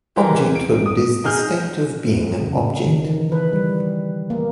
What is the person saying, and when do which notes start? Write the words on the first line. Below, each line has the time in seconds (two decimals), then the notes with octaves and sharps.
Objecthood is the state of being an object.
0.16 E3 G4 A#4
0.55 D7
0.86 D#6
1.24 D#4 G#4 F6 G6
2.42 C#3
2.86 D#3
3.09 E3
3.32 B4
3.53 G3
4.30 A#3